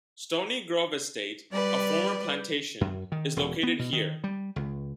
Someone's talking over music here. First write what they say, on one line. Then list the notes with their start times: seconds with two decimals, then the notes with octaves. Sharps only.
Stoney Grove Estate, a former plantation, is located here.
1.50 G3 B4 D5
2.81 F#2
3.12 D#3
3.36 E1
3.63 B3
3.79 B2
3.93 D#3
4.24 G3
4.56 C#2